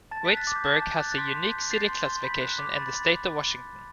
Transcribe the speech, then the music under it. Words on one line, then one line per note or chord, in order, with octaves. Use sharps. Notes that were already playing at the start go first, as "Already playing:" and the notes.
Waitsburg has a unique city classification in the State of Washington.
A5 A6
F#6 B6
A6
D6
G6
A5 A6
A5 G6
F#6 A6
A6
C6 G6 B6
C6
G6
G6 A6 C7
C6
C6
B5 G6 B6
F#6
D6
B5 A6
B5 A6